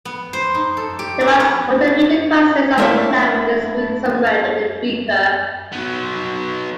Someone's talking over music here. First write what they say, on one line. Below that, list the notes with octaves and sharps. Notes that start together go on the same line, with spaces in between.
The mass potometer consists of a plant with its root submerged in a beaker.
B3
C5
D#4
A4
G4
A#3
B3
A3 A#3 D4 E4 C#5
F#3 B3